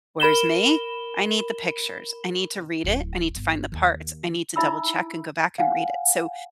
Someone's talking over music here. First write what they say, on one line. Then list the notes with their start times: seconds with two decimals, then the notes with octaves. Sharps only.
Whereas me, I need the pictures. I need to read it. I need to find the parts. I need to double check and go back and read it. So,
0.20 A#4 B5 E7 G7
2.84 D1 E4
3.35 G1
3.72 D#2
4.56 D#4 E4 E5 B5 E6
5.58 F5 F#5 G#5